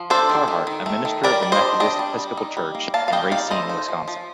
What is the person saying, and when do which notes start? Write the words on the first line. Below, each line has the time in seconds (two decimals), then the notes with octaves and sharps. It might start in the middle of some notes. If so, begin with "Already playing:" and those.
Carhart, a minister of the Methodist Episcopal Church, in Racine, Wisconsin.
Already playing: F3
0.10 D4 A4 C5
0.29 D#3
0.48 D#3
0.67 D#3
0.86 A3
1.05 D#3
1.23 G3 A#4 D5
1.43 G3
1.52 C5 D#5
1.61 D4
1.80 D4 D#5 G5
1.99 G3
2.18 G3
2.37 D#4
2.57 G3
2.75 A#3
2.94 A#3 F5 A5
3.08 F5
3.13 G3 D#5 G5
3.31 D#4 D5 F5
3.50 A3 C5 D#5
3.69 D#4
3.88 F3
4.08 F3